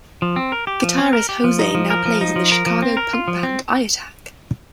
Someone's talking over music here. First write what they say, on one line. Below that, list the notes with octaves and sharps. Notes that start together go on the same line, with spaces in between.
Guitarist Jose now plays in the Chicago punk band I Attack.
F3
C4
A#4
G4
F3
C4
A#4
G4
F3
D#4
F3
A#4
F3
D#4
F3
A#4
F3
C4
A#4
F4
F3
C4